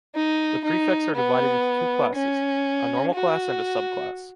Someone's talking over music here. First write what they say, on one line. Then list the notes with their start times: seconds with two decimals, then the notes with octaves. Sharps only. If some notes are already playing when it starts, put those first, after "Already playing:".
The prefects are divided into two classes: A normal class and a sub-class.
0.15 D#4
0.65 D#4
1.15 B3
2.15 C#4
3.14 F#4